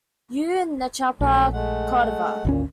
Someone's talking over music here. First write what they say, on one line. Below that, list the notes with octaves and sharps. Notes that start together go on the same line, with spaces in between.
U. Nachappa Codava.
A#1 F#3 A3 C#4
G#3 A3 F#5
G#1 D2 A#2 C#4